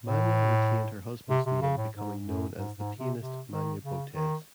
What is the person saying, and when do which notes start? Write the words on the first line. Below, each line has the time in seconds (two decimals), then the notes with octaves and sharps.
Mania retained her husband's name, becoming known as the pianist Manya Botez.
0.03 A2
1.30 C3
1.46 C3
1.62 C#3
1.77 A2
1.94 G#2
2.25 F#2
2.57 G#2
2.77 G#2
2.98 C3
3.19 C3
3.51 D#3
3.83 C#3
4.14 D#3